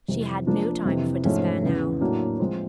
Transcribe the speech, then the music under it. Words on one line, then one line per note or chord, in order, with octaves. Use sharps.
She had no time for despair now.
F2 C3 E3
F3 A#3 D4 F4
F2 C3 E3
G#2 F3 A3 C#4
E2 C#3 E3
A2 F#3 A#3 D4 F#4
F3 G#3 C4 F4